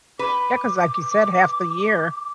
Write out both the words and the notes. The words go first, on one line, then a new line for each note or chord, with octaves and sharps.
Yeah, 'cause like you said, half the year,
B4 D6